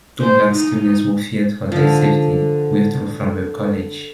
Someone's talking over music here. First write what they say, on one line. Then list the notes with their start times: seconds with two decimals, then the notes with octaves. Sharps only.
Two black students who feared for their safety withdrew from the college.
0.21 C5
0.52 D#4
1.72 D3 F3